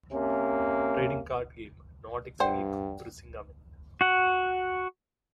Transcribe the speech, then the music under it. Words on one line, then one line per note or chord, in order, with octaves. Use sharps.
Trading Card Game, "Nordic Relic Brisingamen".
C3 A#3 C#4
G2 C5 D5 F#5 G5
F#4 F#5